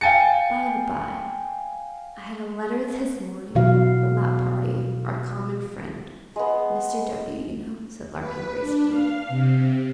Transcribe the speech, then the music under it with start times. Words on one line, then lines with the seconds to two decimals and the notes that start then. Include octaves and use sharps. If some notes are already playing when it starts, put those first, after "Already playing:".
'By-the-bye, I had a letter this morning from that party--our common friend, Mr. W., you know,' said Larkin, gracefully.
0.01 F5 G5 G#5 A6 C#7
3.55 B2 E3 F#3 F#4 F5
6.36 G#3 B3
8.19 B4
8.59 D4
8.89 F5
9.29 C3